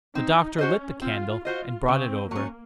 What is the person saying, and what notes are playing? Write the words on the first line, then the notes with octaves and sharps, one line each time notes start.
The doctor lit the candle and brought it over.
C4 D#4
C#4 F#4 C5 D#5
C4 F4
F4 F#4 C5 D#5
C#3 C4
F#3 A#3 C#4